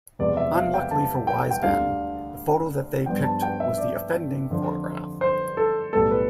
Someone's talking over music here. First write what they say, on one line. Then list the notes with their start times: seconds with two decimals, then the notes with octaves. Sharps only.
Unluckily for Wisden, the photo that they picked was the offending photograph.
0.19 E1 E2 C3 F3 B3 D5
0.37 E5
0.56 F5
0.74 G5
0.91 A5
1.27 G5
1.51 G5
1.63 D2 D3 G3 D4 F4 F5
3.06 G2 F3 B3 G5
3.24 A5
3.42 G5
3.60 E5
3.78 D5
4.50 F2 D3 F3
5.21 C5
5.57 A4
5.93 B1 A2 G3 B3 A4
6.11 B4